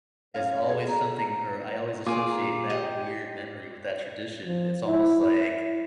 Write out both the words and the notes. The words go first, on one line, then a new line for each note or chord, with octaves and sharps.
is always something or I always associate that weird memory with that tradition, it's almost like
F#2 C#4 F5
G#4 A4
A#5
A#2 F4 G#4 D6
A#5
G4 D#5
F3
E4